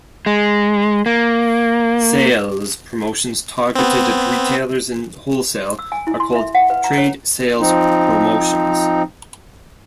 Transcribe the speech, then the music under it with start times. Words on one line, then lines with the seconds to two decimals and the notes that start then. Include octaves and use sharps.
Sales promotions targeted at retailers and wholesale are called trade sales promotions.
0.26 G#3
1.06 A#3
3.76 B3 C4
5.79 E6
5.92 G#5
6.07 E4
6.20 C6
6.35 E5
6.55 F#5
6.70 B4
6.84 A#5
6.98 C#5
7.59 F3 C4 D#4